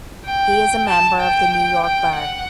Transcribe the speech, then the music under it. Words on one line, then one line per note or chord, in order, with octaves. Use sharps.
He is a member of the New York Bar.
G5
A5
G5
G5
F#5